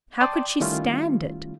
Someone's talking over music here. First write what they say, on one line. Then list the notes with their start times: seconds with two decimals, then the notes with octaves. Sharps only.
How could she stand it?
0.20 D5 G5 A5 C6 D6 D#6
0.60 D#3 G3 A3 C#4 E4 F4